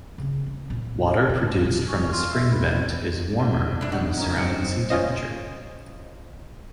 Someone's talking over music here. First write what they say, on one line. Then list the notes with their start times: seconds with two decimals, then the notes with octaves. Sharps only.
Water produced from the spring vent is warmer than the surrounding sea temperature.
0.18 C#3 C#4
0.47 C#4
0.70 A#2 C#4
1.29 D3
1.63 F1 C2
1.88 C#4
2.12 F4
2.33 E5
2.52 B4
3.39 C2
3.81 D4 E4
3.92 D#4 F#4
4.17 C#3 C#4 A#4
4.36 C4 D#4 C#7
4.90 C#4 F4 C5 D#5